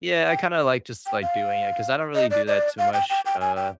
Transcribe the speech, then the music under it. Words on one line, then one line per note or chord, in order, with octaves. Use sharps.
Yeah, I kinda like just like doing it 'cause I don't really do that too much, uh,
G5
G5
F5
D#5
D5
D5
F5
G5
G5
G5
G#5
G5